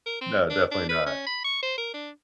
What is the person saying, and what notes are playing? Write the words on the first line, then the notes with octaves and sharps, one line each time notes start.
no, definitely not,
A#4
C4
D4
D4
B4
C#4
B5
C#6
C5
A#4
D4